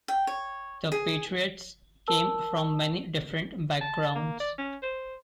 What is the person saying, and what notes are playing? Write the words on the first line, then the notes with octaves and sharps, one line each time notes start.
The Patriots came from many different backgrounds.
G5
C#5
G#4
A#4 A5 E6
A5
A#3
D5
C#4
C5